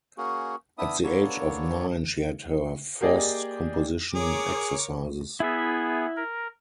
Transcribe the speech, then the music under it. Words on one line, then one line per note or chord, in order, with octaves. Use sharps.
At the age of nine she had her first composition exercises.
A#3 C#4 F#4 G#4
B3 D4 E4 E5 D#6
A#3 B3 D4 A4 C#5
A#3 G4 G#4 D5 D#5 G5
G#4 A#4 C#5 D6
B3 E4 G#4 E5
A#4